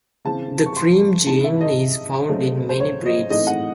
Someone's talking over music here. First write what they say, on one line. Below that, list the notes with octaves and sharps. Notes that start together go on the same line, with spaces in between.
The cream gene is found in many breeds.
C#3 E3 C4 A5
C#6
C6
C3 E3 G#3 D#4 A5
E5
D#5
C#3 F#3 A3 C4
C5
C#5
D#5
A2 E3 A3 C4 D#4 D#5
F#5